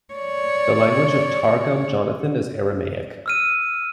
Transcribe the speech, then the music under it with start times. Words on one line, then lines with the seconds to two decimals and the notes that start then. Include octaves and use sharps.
The language of Targum Jonathan is Aramaic.
0.14 C#5 D5
3.26 E6 F6 D#7